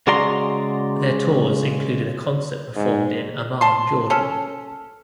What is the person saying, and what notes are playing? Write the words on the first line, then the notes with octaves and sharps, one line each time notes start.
Their tours included a concert performed in Amman, Jordan.
C#3 G#3 F#4 D5 A#5 C6
G#2
A5 C6
C#4 A4